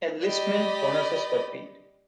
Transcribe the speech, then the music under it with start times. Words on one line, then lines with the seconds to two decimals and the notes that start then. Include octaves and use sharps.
Enlistment bonuses were paid.
0.23 G4 D5 D#5 B5